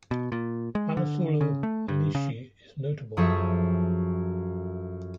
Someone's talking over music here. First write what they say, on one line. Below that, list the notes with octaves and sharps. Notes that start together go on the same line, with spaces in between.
Manasulo Manishi' is notable.
B2
A#2
G#3
D3
C#3
A3
G2
C#3
F#2 F3 G#4 A4 E5 C#6